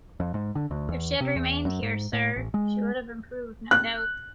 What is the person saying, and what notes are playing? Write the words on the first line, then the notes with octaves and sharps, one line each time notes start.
If she had remained here, sir, she would have improved, no doubt.
F2
G#2
D3
D2
E2
C3
E2
F#2
G#2
A2
A1
G#3
F#6